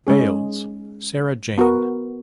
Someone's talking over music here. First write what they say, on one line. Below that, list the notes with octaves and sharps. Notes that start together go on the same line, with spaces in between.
Bailes, Sara Jane.
G#3 C#4 G#4
B3 F#4 A#4